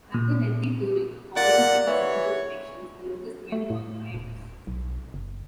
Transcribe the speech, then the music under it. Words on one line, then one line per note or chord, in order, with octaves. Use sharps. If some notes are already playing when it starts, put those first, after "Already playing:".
After lengthy touring following the release of "New Erections", The Locust went on hiatus.
A#2
A#2 D5 F#5
E3 C#5
A3
A2
D#1
B1
F#1